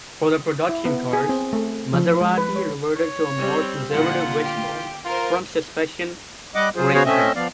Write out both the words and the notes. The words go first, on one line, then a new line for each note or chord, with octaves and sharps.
For the production cars Maserati reverted to a more conservative wishbone front-suspension arrangement.
E4
B3
G#4
C4
A3
F3
G#3
B4
C#5
C#5
G3 C4
A#2 D3 F4 F#5
G4
F4 A#4 C5
G3 D#5 F#5 D6
F#3 F4 G#4 C5
B3 F#4 G#4 C5 C#5 F5
A3 C4 C#4 D#5 E5
F3 B3 D5 F5